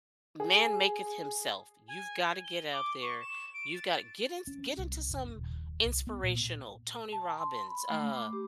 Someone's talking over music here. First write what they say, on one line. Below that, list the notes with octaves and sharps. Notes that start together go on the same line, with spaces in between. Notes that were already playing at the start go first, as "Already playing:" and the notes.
man maketh himself. You've gotta get out there. You've gotta get in get into some inspirational Tony Robbins. Uh,
G#4
G#5
G7
D6
C#6
E7
D7
A6
C#4
C2
F#1
D#1
C2
B3
A#2
A5
C6
B5
A3
D6
G4